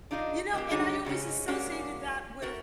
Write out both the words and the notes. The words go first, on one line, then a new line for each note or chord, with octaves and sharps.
You know, and I always associated that with
D4 D#4 F4 G#4 D#5
G#3 A#3 C4 G4
D3 G3 D4 D#4 G#4 C#5
G#2 C#3 G#3 C#4
G#3 A#3 C#4 D4 F#4
A3 F#4 A#4